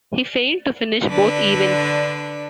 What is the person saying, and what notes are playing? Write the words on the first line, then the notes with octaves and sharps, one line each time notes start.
He failed to finish both events.
D3 D4 B4